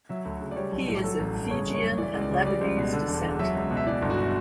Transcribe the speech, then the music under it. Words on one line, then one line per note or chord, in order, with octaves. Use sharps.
He is of Fijian and Lebanese descent.
F#3 E5
D2
C#3
D5
G3 C#5
B1
A2
F#3 A4
A1
G2
C#3 C#5
G1
C#5
F#2
E3 D5
C#2
D5
C#3 C#5
G3 D5
C#2
B2
D3
E1
E2
F#3 E5
C#2
B2
E5
E3 D5
G1
F#4